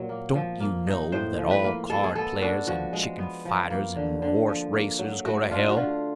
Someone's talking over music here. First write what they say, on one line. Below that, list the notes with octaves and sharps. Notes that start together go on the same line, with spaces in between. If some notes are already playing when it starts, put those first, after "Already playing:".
Don't you know that all card-players and chicken-fighters and horse-racers go to hell?
Already playing: A#2 F#3
A#3
F3
A#3
D#4
A2 C5
F3
B4
A#3
G#3 A4
G#4
B3 A4
D4 F#4
F3 F#4
G#3
B3
F3
A#3
D3
D3
F3
A#3
F#3
A3 F#4
D4 F4
F#4
D3 F4